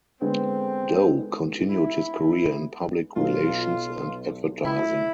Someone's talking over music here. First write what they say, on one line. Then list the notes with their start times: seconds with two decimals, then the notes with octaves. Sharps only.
Dow continued his career in public relations and advertising.
0.21 D3 G#3 B3 C4
1.69 E4
3.16 B1 B2 B3 F4
4.64 E4